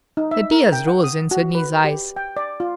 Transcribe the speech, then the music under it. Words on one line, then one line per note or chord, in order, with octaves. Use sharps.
The tears rose in Sydney's eyes.
D#4
E5
A#4
G5
F#5
D#6
F#4
B4
G4
G5
D5
F4